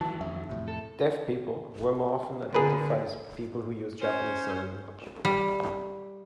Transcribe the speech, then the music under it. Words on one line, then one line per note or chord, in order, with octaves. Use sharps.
"Deaf people" were more often identified as "people who use Japanese sign language".
G2 D#3 E3 F#3 A5
F2 E5
F2 A2 C3
A4
D3 G#4 A#4 B4
C#4 C5
G3